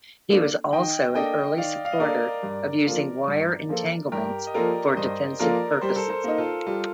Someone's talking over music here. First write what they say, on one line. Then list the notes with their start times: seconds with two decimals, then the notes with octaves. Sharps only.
He was also an early supporter of using wire entanglements for defensive purposes.
0.30 A#3 D4 A4
0.73 D#3 D#5 G5
1.15 A#3 D4 A4 D#5 G5
1.57 D#3 D5 F5
1.85 F5
1.92 D#5
1.99 A#3 D4 A4 A#4 D5
2.43 G2
2.85 F3 A#3 F4 A4
3.27 G2
3.69 F3 A#3 F4 A4
4.12 G2 G4 A#4
4.47 D#5
4.54 F3 A#3 F4 A4 A#4 D5
4.97 G2 C5 D#5
5.39 F3 A#3 F4 A4 A#4 D5
5.81 G3 C5
5.89 A#4
5.96 A4 C5
6.10 A4 C5
6.24 A#3 D#4
6.38 F4 A4
6.67 G3 F4